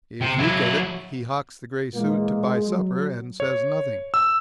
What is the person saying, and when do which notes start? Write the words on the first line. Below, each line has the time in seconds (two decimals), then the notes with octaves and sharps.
If you get it he hocks the gray suit to buy supper and says nothing.
0.21 C3
0.38 F#3 E4
1.94 A#2 E3 G#3 A#3
2.66 F#3
3.40 C#5
4.14 E6